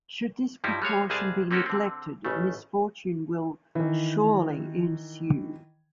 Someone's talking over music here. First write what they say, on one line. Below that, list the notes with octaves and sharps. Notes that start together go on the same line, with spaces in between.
Should this precaution be neglected misfortune will surely ensue.
G2 F3 G3 D#4 E4
G3 G#3 C#5 F5
C2 G3 G#3 G#4 G#5 A5
A#3 C4 C#4 F#4 G4 A4
D3 C4
A1 C#3 A3
D#3 E3